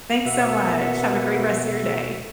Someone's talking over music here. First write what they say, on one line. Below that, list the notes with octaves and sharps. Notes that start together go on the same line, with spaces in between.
Thanks so much, have a great rest of your day.
B2 A#3 B3 F#4 E5 F#5